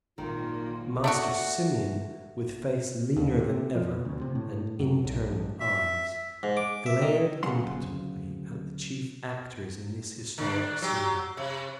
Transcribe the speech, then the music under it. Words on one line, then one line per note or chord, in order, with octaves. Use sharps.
Master Simeon, with face leaner than ever and inturning eyes, glared impotently at the chief actors in this historic scene.
G#1 A#2 D#3 F#3 A#3 F4
A3 D4 F#4
D#2
C3
F3
B2
D2
C3
A2
F#2
B1
A1
E5
G#2
D6
E5
D#3
D2 C#3 F#3 F#5 C6
D3 D4
F#3 G4
C3